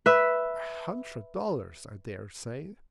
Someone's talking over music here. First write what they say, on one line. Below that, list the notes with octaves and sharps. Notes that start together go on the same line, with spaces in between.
'A hundred dollars, I dare say.
B4 E5